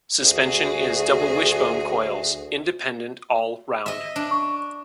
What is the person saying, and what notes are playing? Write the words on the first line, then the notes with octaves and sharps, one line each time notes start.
Suspension is double-wishbone coils, independent all round.
D2 F#4 G#4
D#5 E5
D4
C#6